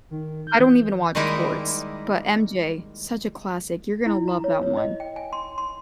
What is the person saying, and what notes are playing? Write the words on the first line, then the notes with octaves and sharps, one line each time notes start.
I don't even watch sports. But MJ, such a classic. You're gonna love that one.
D#3
G6
E3
D#3 G3 G#3 A#3 D#4 E4
E4
A#5
C#5
C#5
D#5
G5
G#5
C6
C6